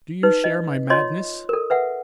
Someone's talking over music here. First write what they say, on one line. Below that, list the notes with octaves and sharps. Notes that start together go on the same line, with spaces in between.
Do you share my madness?
D#4 B4
D#5
F4 C#5 D#5 C6
A4 A#4
B4 E5 F#5